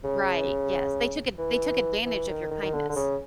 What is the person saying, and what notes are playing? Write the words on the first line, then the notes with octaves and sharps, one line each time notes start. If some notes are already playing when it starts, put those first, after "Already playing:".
Right, yes, they took ad they took advantage of your kindness.
C#3
E3
E3
D#3
D#3
D#3
D3
D3
C#3